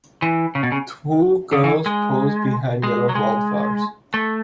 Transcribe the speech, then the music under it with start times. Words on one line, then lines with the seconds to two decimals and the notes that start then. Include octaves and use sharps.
Twho girls pose behind yellow wildflowers.
0.22 E3
0.55 C#3
0.63 B2
0.72 C#3
1.53 D3
1.64 E3
1.86 G#3
2.83 G#3
3.09 F#3
3.15 G#3
4.14 A3